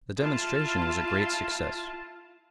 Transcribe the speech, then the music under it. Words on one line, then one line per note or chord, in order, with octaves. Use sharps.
The demonstration was a great success.
E4 F4 F5 A5